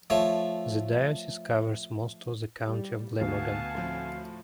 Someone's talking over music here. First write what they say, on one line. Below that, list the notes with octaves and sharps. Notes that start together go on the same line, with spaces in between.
The diocese covers most of the County of Glamorgan.
F3 A3 C#5
G3
D2 B2 F5 F#5 G#5 A5
A2 F3 C4